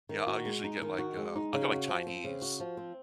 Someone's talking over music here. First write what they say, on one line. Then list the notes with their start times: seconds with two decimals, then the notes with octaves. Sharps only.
Yeah, I'll usually get, like, um I'll get, like, Chinese
0.09 D#3
0.27 F#4
0.45 G#3
0.64 D#4
0.82 D#3
0.99 F#4
1.17 G#3
1.36 D#4
1.53 C#3
1.71 F#4
1.88 F3
2.07 C4
2.24 C#3
2.42 F#4
2.60 F3
2.77 C4